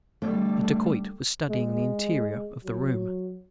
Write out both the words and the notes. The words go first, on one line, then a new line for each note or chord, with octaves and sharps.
The dacoit was studying the interior of the room.
D3 G3 A3
G#3
F#3